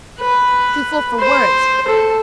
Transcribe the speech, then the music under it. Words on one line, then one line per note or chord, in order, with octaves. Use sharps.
Too full for words.
B4
C5
A4